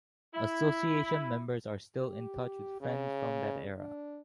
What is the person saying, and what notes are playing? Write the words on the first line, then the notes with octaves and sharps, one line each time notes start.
Association members are still in touch with friends from that era.
E4
G4
C#3
D4